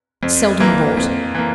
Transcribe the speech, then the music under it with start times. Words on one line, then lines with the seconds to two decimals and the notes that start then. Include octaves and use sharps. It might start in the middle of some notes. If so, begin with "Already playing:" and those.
Seldom bought.
0.23 F2
0.60 E3 A#3
0.97 F2
1.35 E3 A#3